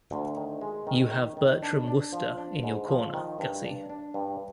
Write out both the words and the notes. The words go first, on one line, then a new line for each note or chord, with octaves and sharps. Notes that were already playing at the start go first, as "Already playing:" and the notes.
You have Bertram Wooster in your corner, Gussie.
D2
D#3
G#3
D#3
D#3
D#3
D4
D4
F3
D4
G#2
F3
D#3
G2
D4
D4
G2